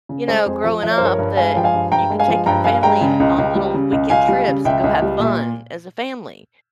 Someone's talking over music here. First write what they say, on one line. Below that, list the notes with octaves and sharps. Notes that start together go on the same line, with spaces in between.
you know, growing up that you could take your family on little weekend trips and go have fun as a family.
C#3
G#3 G#4 C5
F2
F3
F3 E5
C#5
C5
G2 A#4 C#5
G2
G#3 F5 G#5
F3 G5
F5 G#5
G2
G2 G5 A#5
G#3
F5 G#5
F3
G2 G5 A#5
G2 F5 G#5
G#3 G5 A#5
C#3
C#2
C#2
G3
C#3
C#2
C#2 F5 G#5
G3
C#3
C#2 E5 G5
C#2
G3
A#2 E5